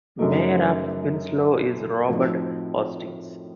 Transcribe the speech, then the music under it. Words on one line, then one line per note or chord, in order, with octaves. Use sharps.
Mayor of Winslow is Robert Hastings.
F#2 C#3 F#3 A3 D#4
A2 F3 C4 D#4 F#4